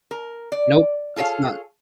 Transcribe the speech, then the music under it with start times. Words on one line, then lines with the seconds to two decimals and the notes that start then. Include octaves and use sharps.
Nope, it's not.
0.11 A#4
0.52 D5
1.16 F4 G#4 A4 C#5 F5